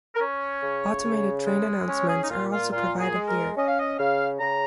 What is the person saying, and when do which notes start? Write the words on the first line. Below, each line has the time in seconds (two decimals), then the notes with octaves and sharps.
Automated train announcements are also provided here.
0.15 A#4
0.20 C#4 C#5
0.62 C#3
1.05 C#3
1.47 G#3
1.88 C#4 C#5
2.09 G#4
2.23 D#4
2.30 A#2 F4
2.52 F4
2.72 A#2 F4
3.00 G#4
3.14 G#3
3.28 A#4
3.56 C#4 D#5
3.68 F5
3.79 D#5
3.98 C#3 F5
4.40 C#3 A#5